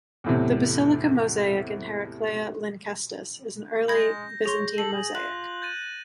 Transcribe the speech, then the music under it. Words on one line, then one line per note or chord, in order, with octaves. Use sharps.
The Basilica Mosaic in Heraklea Lynkestis is an early Byzantine mosaic.
E2 A2 C3
G#3 B5 G6 G#6 A#6
G#4 C#5 C6
A4 C7 F#7
G#4
F4 F#6 F#7
G6 A6 D#7